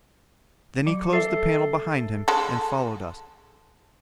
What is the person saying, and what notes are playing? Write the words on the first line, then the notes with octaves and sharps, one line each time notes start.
Then he closed the panel behind him and followed us.
F#3
A4 E5 C7
G#3 A4